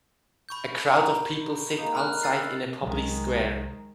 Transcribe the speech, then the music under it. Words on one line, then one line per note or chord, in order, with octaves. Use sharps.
A crowd of people sit outside in a public square.
B5 C#6 G6
A#4 D5 D#6
G#3 A#3 D#4
B5 F6 F#6
E6 A6 C7
C2 D#3 F#3 G#3